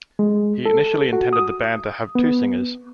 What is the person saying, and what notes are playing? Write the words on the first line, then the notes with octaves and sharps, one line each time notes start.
He initially intended the band to have two singers.
G#3
A4
F#4
D#6
B3